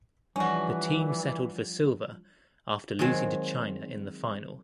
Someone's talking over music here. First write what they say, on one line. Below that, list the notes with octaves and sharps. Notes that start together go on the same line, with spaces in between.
The team settled for silver after losing to China in the final.
E3 F3 G3 C#4 D4 F#4
D#3 F#3 G#3 C4